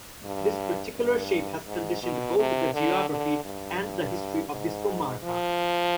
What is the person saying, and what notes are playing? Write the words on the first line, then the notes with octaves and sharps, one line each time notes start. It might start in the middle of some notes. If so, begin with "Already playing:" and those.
This particular shape has conditioned both the geography and the history of this "comarca".
G2
G2
G#2
B2
C3
D3
D3
G2
G2
G#2
F3